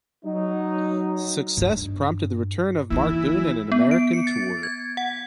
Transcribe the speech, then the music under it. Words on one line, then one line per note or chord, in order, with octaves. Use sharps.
This success prompted the return of Mark Boon and an American tour.
F#3 D#4
G2 D4
E3 A#3 D#4 E4
B3
D7
C#7
A6
G#6
F#5